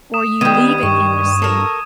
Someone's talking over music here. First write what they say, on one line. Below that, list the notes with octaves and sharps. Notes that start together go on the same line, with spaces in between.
or you leave it in the soup
D#6 E7
D#3 G3 B3 D#6 G#6 D#7
G2 C#6
A4 A#4